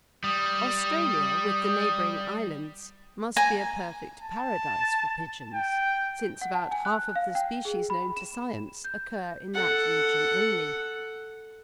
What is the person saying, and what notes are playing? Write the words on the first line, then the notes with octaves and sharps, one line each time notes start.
Australia, with the neighbouring islands, must be a perfect paradise for pigeons, since about half of the species known to science occur in that region only.
G3 D#6
G#5 A#5
A5
G5
F#5
A5
G#5
F#6
F5
G5
G#4
B5
E7
G6
A4 F#5